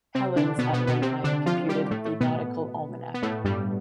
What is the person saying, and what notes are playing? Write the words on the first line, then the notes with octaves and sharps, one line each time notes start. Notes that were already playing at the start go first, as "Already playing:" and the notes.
Hellins at one time computed the "Nautical Almanac".
C3 C4
D3 D4
B2 B3
B2 B3
B2 B3
C3 C4
D3 D4
F3 F4
G3 G4
A2 A3
A2 A3
B2 B3
B3
A2 A3
G2 G3